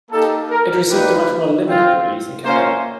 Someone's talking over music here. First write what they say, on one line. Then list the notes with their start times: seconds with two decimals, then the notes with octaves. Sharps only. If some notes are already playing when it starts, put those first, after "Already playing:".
It received a much more limited release in Canada.
0.10 A#3 D#4 G4 A4
0.49 A#4
0.88 G3 A#3 D#4 G4 B4
1.67 C4 F4
2.44 A#3 C#4 F4 C5